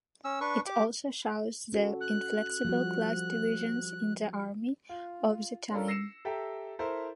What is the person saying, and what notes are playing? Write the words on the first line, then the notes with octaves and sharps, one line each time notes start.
It also shows the inflexible class divisions in the army of the time.
C#4 E6
D4 B4 C#6
G4 D6
C#4 F#4 A4
F#6
F3 G3 F#4
F4
C#4 D4 F4 A4 A#4
E6 A#6 C7 C#7 E7
G4 A4 E5 G5 A#5
E4 A4 A#4 C5 E5